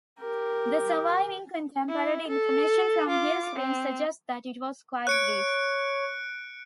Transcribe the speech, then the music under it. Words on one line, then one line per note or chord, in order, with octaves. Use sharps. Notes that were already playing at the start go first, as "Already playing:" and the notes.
The surviving contemporary information from his reign suggests that it was quite brief.
G4 A#4
E4
A4
F4 D6
C4
C#5 F#6 C#7 D7